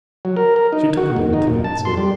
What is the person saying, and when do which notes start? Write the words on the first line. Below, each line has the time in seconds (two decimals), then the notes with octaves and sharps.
She took a minute to answer.
0.25 F#3
0.36 A#4
0.56 A#4
0.73 D#4
0.97 F#4
1.16 D#2
1.33 D#4
1.47 A#2
1.64 A5
1.85 C6
1.97 G3